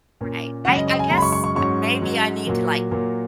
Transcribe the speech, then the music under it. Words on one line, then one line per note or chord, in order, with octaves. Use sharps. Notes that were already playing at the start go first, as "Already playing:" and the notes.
Right, I I guess maybe I need to, like,
A#2 A#3 C#4
F#2 C#3 G#3 C#4 F#5
D#5
D#5
G#5
F#2 C#3 G#3 C#4 A#5
B5
C#6
C#6
C#6
G#2 F#3 C#4 C#6
G#2 F#3 C#4
A#2 F#3 A#3
A#2 F#3 A#3